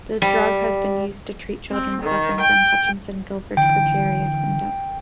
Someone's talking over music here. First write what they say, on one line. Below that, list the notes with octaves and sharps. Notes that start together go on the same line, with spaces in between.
The drug has been used to treat children suffering from Hutchinson-Gilford progeria syndrome.
G3
C4
D#3
G5
D3 E3 G5